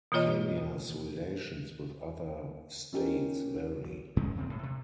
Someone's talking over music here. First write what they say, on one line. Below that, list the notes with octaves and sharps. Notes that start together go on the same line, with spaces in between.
Kenya's relations with other states vary.
B2 E3 A#3 F4 C#5 D#5
C#4 D#4 F4 G4 A#4
G2 G#3 C4 C#4
E2 C#3 C4
D#1 A2
C3